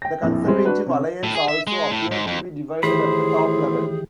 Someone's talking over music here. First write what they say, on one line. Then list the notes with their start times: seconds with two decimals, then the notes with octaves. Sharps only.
The Conservative Alliance also appeared to be divided at the top level.
0.02 G5 A#6
0.22 A#1 F2 A2
0.46 G3 G#3 C4
0.65 D4 F#4 B4
0.86 C3 C#4
1.23 A2
1.35 G#4
1.48 E5
1.67 G#3
1.91 A2
2.11 G#2
2.27 F2
2.83 A2 D#3 E3 G4 G#4 C5 B5